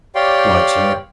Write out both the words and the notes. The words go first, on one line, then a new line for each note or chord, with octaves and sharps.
"Quite, sir."
G4 C#5 D5 F5 G5 C6